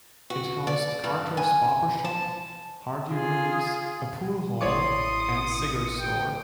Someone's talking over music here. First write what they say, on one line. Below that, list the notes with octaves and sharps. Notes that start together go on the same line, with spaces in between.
It housed Carter's Barbershop, Hardy Rooms, a pool hall, and cigar store.
F#4
D5
G2
G#5
A5
F4 G#4
A1 E4 C#5 D5 C6 D6 D#6 C#7
G5